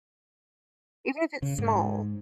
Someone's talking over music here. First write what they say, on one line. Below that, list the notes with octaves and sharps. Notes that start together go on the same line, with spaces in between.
even if it's small,
C#3
G#2